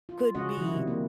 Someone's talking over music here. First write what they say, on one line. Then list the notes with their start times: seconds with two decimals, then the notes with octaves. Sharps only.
could be
0.09 F4
0.35 C#3 G#3 C#4 F#4 D#5 F#5
0.57 D#3 F3 E4
0.73 C3 D#3 G3
0.88 A#3